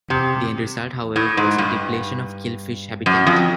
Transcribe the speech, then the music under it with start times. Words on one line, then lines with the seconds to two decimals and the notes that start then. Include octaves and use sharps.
The end result, however, was a depletion of killifish habitat.
0.10 C3
1.16 A2
1.37 G#2
1.58 G2
3.06 F#2
3.27 F2